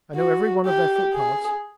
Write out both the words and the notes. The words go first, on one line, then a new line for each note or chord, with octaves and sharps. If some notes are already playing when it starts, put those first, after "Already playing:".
I know every one of their footpaths ...
F#4
G4
G#4